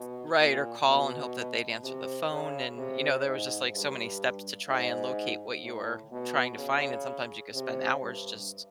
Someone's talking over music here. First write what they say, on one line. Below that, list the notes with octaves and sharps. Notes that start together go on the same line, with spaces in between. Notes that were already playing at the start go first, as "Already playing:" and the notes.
T Right, or call and hope that they'd answer the phone, and, you know, there was just, like, so, many steps to try and locate what you were trying to find, and sometimes you could spend hours just
Already playing: B2
A#2
B2
C3
C#3
C3
G#2
G2
G#2
A2
B2
C#3
C3
G2